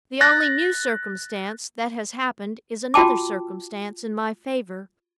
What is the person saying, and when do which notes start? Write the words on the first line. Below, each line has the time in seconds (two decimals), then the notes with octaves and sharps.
The only new circumstance that has happened is another circumstance in my favor!
0.21 F#6 A6 A#6
2.94 F4 F#4 G5 A5 D6